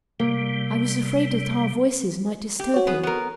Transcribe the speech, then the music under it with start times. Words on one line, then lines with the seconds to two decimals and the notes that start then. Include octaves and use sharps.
I was afraid that our voices might disturb him.
0.20 C3 G3 A#3
2.60 G4
2.74 F#4 C#5
2.87 B3 G#4
3.03 B3 A#4